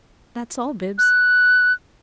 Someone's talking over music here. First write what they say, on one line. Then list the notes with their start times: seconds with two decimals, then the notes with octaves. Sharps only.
That's all, Bibbs.
0.98 F#6